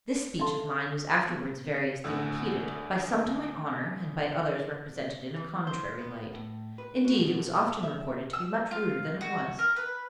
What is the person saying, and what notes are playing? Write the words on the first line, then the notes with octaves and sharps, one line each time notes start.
This speech of mine was afterwards variously repeated, by some to my honour, and by others represented in a contrary light; indeed, it was often reported to be much ruder than it was.
A4 E5 F5 A5 C6
B3
D2 A2 D3 F#5 E6
E3
C5
B3
A2
B4
F#4
B2
E5
E6
F4
F#4
A#4
B4